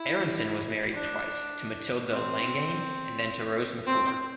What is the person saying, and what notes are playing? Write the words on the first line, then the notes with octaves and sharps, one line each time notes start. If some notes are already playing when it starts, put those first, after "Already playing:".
Aronson was married twice, to Matilda Langane and then to Rose McClure.
Already playing: E4
D4
C4
C4